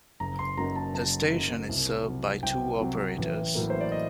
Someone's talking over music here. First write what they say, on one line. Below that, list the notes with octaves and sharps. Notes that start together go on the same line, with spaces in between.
The station is served by two operators.
F#1 A#5
C6
F#2 F#3 A#3 D#4 A#5
A5
F#1 A5
F#2 F#3 A#3 D#4
C2
C3 F#3
C2 G5
C3 F#3
A1
A2 F#3 A#3
C5
D5
D#5